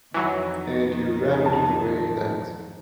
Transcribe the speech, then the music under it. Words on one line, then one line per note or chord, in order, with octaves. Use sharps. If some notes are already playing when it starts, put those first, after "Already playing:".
and you wrap it in a way that's
F2 D#3 E3 F#3
A5